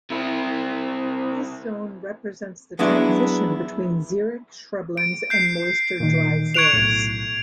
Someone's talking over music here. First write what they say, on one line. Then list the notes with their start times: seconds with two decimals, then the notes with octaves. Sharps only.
This zone represents the transition between xeric shrublands and moister dry forests.
0.11 C3 E4
2.79 F#3 G#3 B3 D4 E4
4.97 D7
5.30 G6 C7
6.00 A#2 D#3
6.54 C#6 F#6 G#6 D7 E7 F7
6.73 B1 A2